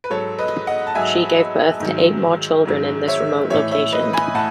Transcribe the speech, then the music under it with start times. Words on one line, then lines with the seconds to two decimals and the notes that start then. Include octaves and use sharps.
She gave birth to eight more children in this remote location.
0.04 B4
0.10 G#2 F#3 A4 C#5
0.39 B4 D#5
0.67 D#5 F#5
0.87 A5
0.95 G#2 F#3 E5 G#5
1.80 G#2 D#3 F#3
2.65 G#2 D#3 F#3
3.08 C#5 E5
3.50 A2 E3 C#5 E5
3.71 C#5 E5
3.93 B4 D#5
4.13 G#5 B5
4.34 A2 F#5 A5